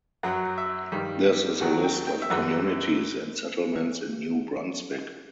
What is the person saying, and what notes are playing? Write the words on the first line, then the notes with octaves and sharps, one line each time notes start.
This is a list of communities and settlements in New Brunswick.
F#2 F#3 F#5
E5
G2 D#3 G3
D#2 D#3 F#3 F#5
G5
G5
E5
F#2 E3 G3 F#5